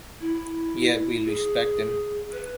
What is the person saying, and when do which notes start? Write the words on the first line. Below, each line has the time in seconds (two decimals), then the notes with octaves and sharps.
Yet we respect them.
0.21 E4
1.26 G#4
2.32 B4